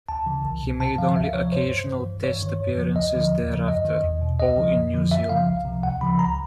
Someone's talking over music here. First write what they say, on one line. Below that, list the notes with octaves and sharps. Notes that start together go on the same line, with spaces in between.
He made only occasional Test appearances thereafter, all in New Zealand.
D2 A5
C#3 E3
C2
B2
G2 A5
D3 F3 F5
D2 E5
C3 F3 C#5
G2 C5
E3
G2
E3
G2 C#5
D#3
F2
C#3 F3
D2 D#5
D3 F3
D#2
C#3 F3
F#2 D#5
D#3
E2
B2
C#2 D#5
C#3 F3
F2
D3 F3
F#2 E5
C#3 F3 F5
C2
C3 F3
D2 F#5
C#3 F3 B5
C#2 A#5